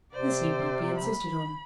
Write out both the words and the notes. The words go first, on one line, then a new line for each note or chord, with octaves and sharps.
This need not be insisted on.
C3 C5 D5
B5